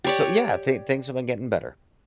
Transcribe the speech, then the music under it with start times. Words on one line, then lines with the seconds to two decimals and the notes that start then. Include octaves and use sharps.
So, yeah, I thin things have been getting better.
0.04 G4 C#5 D5